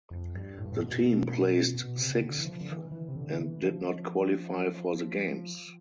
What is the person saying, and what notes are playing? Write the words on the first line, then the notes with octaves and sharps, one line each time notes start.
The team placed sixth and did not qualify for the Games.
F2
G2
A2
G2
A2
B2
B2
C3
C3
D3
E3
F3
D3
E3
E3
C3
D3
E3
F3